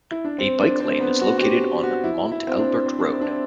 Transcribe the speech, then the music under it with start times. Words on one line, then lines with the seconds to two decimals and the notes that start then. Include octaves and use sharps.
A bike lane is located on Mont Albert Road.
0.11 E4
0.25 D4
0.38 C4
0.59 D4
0.80 C4
1.00 B3
1.21 F#4
1.38 F#4
1.42 G4
1.83 F#4
2.04 E4
2.32 E4
2.47 C4
2.59 D4
2.86 C4
2.99 D4
3.10 C4
3.21 D4
3.28 C4